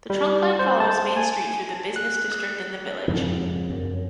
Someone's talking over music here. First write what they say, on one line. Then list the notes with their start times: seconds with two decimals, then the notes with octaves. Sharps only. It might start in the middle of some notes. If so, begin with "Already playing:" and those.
The trunkline follows Main Street through the business district in the village.
0.10 G3
0.59 C5
0.80 A5
1.17 G#5
1.96 F#6
3.08 F2 G#2 C#3
3.70 F#2